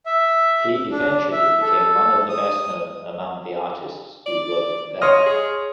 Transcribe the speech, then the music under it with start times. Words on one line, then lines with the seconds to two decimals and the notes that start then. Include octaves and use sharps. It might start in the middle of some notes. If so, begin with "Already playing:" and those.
He eventually became one of the best known among the artists who worked there.
0.06 E5
0.91 D4
1.32 E5
1.61 A4
2.29 D#6
4.26 D5
5.02 C#5 D#5 C6 F6
5.26 G#4